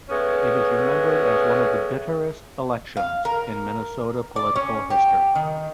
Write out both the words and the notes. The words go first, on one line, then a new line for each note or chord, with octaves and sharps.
It is remembered as one of the bitterest elections in Minnesota political history.
G#3 A3 B3 C#4
F5
A#4
D5
C#4
G4
D#3